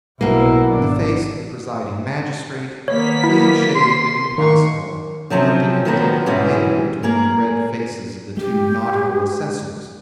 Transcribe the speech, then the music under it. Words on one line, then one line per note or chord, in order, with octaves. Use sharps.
The face of the presiding magistrate, clean shaved and impassible, looked at him deadly pale between the red faces of the two nautical assessors.
B1 B2 A#3 E4
G#1 D4
D#3 A#3 B3 C#5 B6
E4
C6
D#3 A#3 C#6
C3 F3 F#3 C4 C#4
D#3 F3 F#3 G#3 A#3 B3
G#2 B2 E3 G3 G#3 C#4
A#3 G#4 A#4
G#3 G4